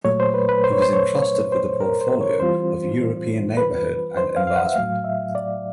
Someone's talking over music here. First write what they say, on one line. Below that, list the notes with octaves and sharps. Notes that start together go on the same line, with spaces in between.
He was entrusted with the portfolio of European Neighbourhood and Enlargement.
A#2 F#3 A3 C#5
C5
B4
B4
C5
C#5
C5
C#5
C#5
C5
A#4
C5
C#5
E3 G3 C4 F4 C5
B4
C5
F5
F5
F#5
E5
A2 F#3 A3 F5
E5
D5